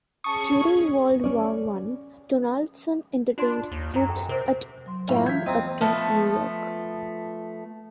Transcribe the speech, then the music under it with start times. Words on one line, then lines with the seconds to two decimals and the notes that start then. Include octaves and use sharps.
During World War One, Donaldson entertained troops at Camp Upton, New York.
0.24 C#4 G#4 A5 C#6 D#6
1.24 C#4 D5
3.38 D4 F4 D5 C6
3.72 D#2
3.94 F#2 C#4 A#5
4.09 A4 G5
4.29 C3 A#4 C5
4.86 F#3 C6
5.09 A2 E4 F4 F5
5.26 E3 G6 G#6 B6
5.46 E2 C4 D#5 A#5
5.81 F3 A3 B3